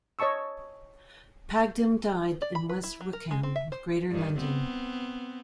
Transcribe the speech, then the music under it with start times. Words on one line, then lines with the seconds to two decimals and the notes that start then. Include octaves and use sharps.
Padgham died in West Wickham, Greater London.
0.19 C#5 D#5 A5 C#6 E6
2.42 D5
2.55 B5
2.69 B4
2.83 E4
3.01 F#3
3.13 A#4
3.31 G#3
3.43 C4
3.56 E5
3.72 C5
4.10 G2 D#3
4.39 B3 C4